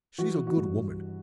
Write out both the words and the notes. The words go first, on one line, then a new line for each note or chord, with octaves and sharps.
She's a good woman.
E3 F#4
E3
F#4
G2